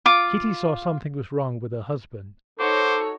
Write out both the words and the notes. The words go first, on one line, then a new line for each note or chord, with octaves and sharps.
Kitty saw something was wrong with her husband.
F4 D6
D#4 F#4 A4 C5 C#5 D6